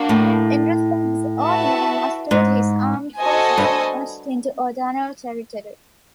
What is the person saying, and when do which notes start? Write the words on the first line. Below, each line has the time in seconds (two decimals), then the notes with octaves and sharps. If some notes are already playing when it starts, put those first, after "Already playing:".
In response, O'Neill mustered his armed forces and marched into O'Donnell territory.
Already playing: A#3 D4 F#4
0.09 A2
1.42 F#4 B4 E5 A5
2.31 G#2
3.19 F#4 A4 C5 D#5 G#5
3.58 G2